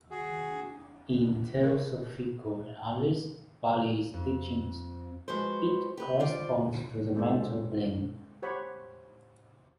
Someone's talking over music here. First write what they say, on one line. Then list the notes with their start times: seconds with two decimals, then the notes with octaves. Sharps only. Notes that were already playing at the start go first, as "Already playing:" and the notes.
In Theosophical and Alice Bailey's teachings, it corresponds to the Mental plane.
0.11 F#4 G#4
1.63 A#4
4.14 F2
5.28 F3 G#3 F#4 B4 C5
5.97 G4 B4
6.20 F2 F4 C5 D5
7.16 G#3 C4 D4 G4 A4
8.42 G4 C5 C#5 F#5 B5